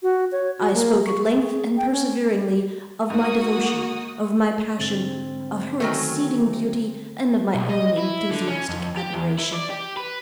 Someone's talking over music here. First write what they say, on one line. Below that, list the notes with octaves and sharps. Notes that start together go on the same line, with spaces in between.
I spoke at length, and perseveringly of my devotion, of my passion--of her exceeding beauty, and of my own enthusiastic admiration.
F#4
C#5
F#4
A#3
C#6
G#4
G5
C#4
G#2 A#3 F#4 D#6
G#2 D3 C4 A6
D#3 F#3 A3 A4 G#5
B1
D#5
E4
D3
C#4
F2
G4
E2
E4
D5
G4
B4